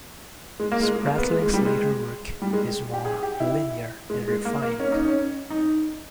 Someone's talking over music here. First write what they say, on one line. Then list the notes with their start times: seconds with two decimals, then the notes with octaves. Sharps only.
Spratling's later work is more linear and refined.
0.60 G#3
0.72 A#3
0.83 G#3
0.95 G#3
1.06 A#3
1.18 B3
1.30 G#3
1.42 G#3
1.54 G3
1.65 G#3
2.42 G3
2.53 G#3
2.94 G4
3.05 G#4
3.23 G4
3.40 E4
4.10 G#3
4.28 G#3
4.45 A#3
4.62 A#3
4.80 C#4
4.92 D#4
5.05 C#4
5.50 D#4